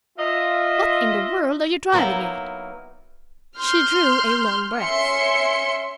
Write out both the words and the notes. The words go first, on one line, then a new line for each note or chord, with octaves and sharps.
"What in the world are you driving at?" She drew a long breath.
F4 D#5 E5
F#3 A#3 B3 D#4 E4
C6 F6 G6
C#4 E5 C6 C#7